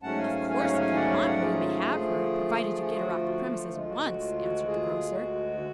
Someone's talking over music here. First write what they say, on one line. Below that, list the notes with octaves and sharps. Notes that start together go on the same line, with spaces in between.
"Of course if you want her you may have her, provided you get her off the premises at once," answered the grocer.
G#2 F#3 A3 C#4 F#5 A5
F5 G#5
F5 G#5
F5 G#5
F#5
C#5 F5
F5 G#5
D5 F#5
C#5 F5
D5 F#5
F4 G#4
D3 F3 A3
F4 G#4
F#4
F4
F#4
F4
D2 D3 G#3 F4
F#4
F#4
F4
F#4
F4 G#4
F#4